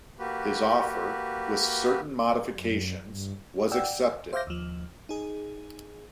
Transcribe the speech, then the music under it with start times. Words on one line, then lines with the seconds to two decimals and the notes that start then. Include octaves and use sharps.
His offer, with certain modifications, was accepted.
0.19 A#3 F#4 G4 B4
2.54 F#2
3.04 G2
3.72 D5 F#5 G5 E6
4.33 C5 E5 F5 D6 G6 A#6
4.47 D#2 F3
5.09 D#4 G#4